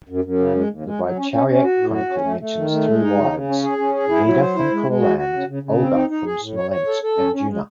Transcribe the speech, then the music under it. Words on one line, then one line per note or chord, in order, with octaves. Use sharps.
The Bychowiec Chronicle mentions three wives: Vida from Courland, Olga from Smolensk, and Jewna.
F#2
F#2
C#3
G#3
D#2
G#3
F#3
C#4
C#4
C#4
F#4
A2
F#4
C#4
A3
A3
D#3
A3
G#3
D#4
C#3
C#3
C#4
G#4
C#4
G#4
E4
F#3
C5
E4
G#3
G#3
F#4
F#4
C#3
C#3
C#3
C4
D#4
D#4
G#4
A2
C#5
C#5
A4
A4
C#4
C#4
G#3